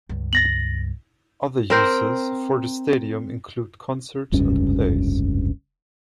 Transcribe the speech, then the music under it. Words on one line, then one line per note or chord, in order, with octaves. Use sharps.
Other uses for the stadium include concerts and plays.
C#2 G2
A6 A#6 F#7
C4 A#4 C5
F1 C#2 G2 C#4